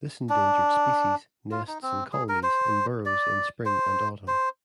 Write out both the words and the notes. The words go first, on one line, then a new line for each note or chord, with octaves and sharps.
This endangered species nests in colonies in burrows in spring and autumn.
D4
F4
D#4
C4
G#4
A#4
C5
D5
C5
C5